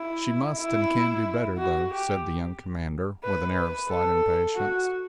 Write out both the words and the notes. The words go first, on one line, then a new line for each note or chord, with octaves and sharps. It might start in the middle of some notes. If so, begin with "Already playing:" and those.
"She must and can do better, though," said the young commander, with an air of slight impatience.
Already playing: E4
E4
F#4
G4
B4
B4
A4
F#4